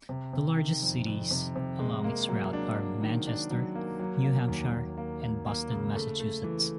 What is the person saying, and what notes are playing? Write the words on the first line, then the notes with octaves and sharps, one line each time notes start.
The largest cities along its route are Manchester, New Hampshire and Boston, Massachusetts.
C3
C3
D#3
F2
F2
C3
C3
G#3
A#3
F#3
D4
D4
D#3
D4
F#3
A#3
F#3
A#3
D#2
D#2
A#3
A#3
A#3
C#3
A3
A3
E3